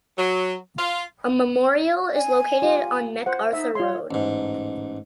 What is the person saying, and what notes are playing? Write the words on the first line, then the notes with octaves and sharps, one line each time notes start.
A memorial is located on MacArthur Road.
F#3
F4
G#5
F4 G4
C5 F#5
D#4 E5
F4 C#5 C6
A1 G#2